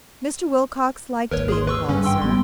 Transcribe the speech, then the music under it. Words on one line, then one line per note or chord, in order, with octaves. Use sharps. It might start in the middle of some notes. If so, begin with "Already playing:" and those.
Mr. Wilcox liked being called sir.
G#1 D#2 A#4 B4 C#5
G#4 C6
B4 C#6 E6
G2 D3 C#4
G5 C6 E6
F#1 G3 B3 C6